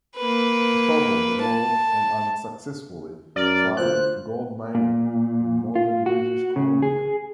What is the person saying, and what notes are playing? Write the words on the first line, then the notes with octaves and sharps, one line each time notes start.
He travelled the world and unsuccessfully tried gold mining in northern British Columbia.
A#3 B4
A5
F#2 D5 A#5 F6
D2 F4 C5 F#6
A#2
F4
F#4
C#3
G#4